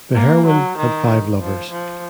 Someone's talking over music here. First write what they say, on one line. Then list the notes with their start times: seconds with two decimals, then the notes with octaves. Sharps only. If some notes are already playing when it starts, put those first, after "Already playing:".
The heroine had five lovers.
0.15 A#3
0.46 F#3
0.78 D#3
1.40 F3
1.70 F3